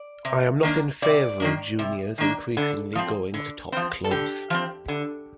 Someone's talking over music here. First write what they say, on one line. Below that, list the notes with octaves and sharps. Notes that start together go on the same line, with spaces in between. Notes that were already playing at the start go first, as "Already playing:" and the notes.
I am not in favour of juniors increasingly going to top clubs.
Already playing: D5
C3
D#3 A#3 D4
C3 D5
D#3 A#3 D4
C3
D#3 A#3 D4
D3
F3 C4
D3
F3 C4
A4
D3 G4
F3 C4
D3